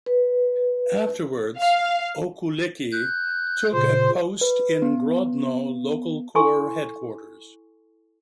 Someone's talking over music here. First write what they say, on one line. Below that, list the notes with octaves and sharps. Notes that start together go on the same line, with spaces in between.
Afterwards Okulicki took a post in Grodno local corps headquarters.
B4
F5
F#6 G6
A#2 C#3 C5
B4
B3
E4 A4 G#5 C6 C#6